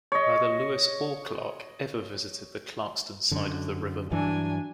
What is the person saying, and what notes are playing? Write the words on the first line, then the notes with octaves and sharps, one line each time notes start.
Neither Lewis or Clark ever visited the Clarkston side of the river.
C#5 D#5
F#2 D3
G2 E3 F#3 D4 G#5